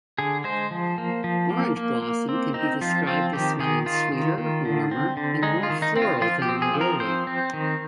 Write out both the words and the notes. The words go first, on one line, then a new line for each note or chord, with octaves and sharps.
Orange blossom can be described as smelling sweeter, warmer and more floral than neroli.
D3 G#4
G#3 C5
F3
A#3
F3
A#3
A#3
A#3
C4
C4 D#4
F3 F4
C4 F4
D#3 G4
D#3 G#4
D#3 F4
D#3
D#3
D3
C4
D3
G#3 D#4
F4
D#3
D#4
C4
F4
F3 F4
G4
C4
G#4
F3
A#4
C4 C5
C4
D#3